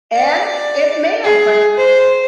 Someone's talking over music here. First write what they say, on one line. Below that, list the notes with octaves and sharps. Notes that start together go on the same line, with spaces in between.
And it may have, but
D5
G#4
C5